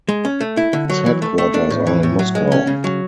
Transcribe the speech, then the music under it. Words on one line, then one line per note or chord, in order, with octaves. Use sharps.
Its headquarters are in Moscow.
G#3
C#4
A3
E4
D3
F#3
E3
A3
A3
D4
A2
E3
A2
F#3
G#3
C#4
C#3
F#3